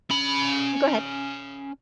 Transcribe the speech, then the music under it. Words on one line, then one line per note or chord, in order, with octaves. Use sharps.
Oh, go ahead.
C#4 B5